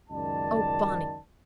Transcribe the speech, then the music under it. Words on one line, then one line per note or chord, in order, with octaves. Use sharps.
Oh, Bonnie!
C#2 F#2 D#3 D5 A5